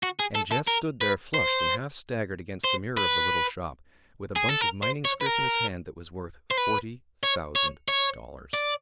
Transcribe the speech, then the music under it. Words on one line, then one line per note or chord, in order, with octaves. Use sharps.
And Jeff stood there flushed and half-staggered against the mirror of the little shop, with a bunch of mining scrip in his hand that was worth forty thousand dollars!
F#4
G#4
A4
A4
A#4
B4
C5
C5
B4
G#4
A4
A#4
C5
C#5
B4
A#4
C5
B4
C#5
C#5
C#5
D5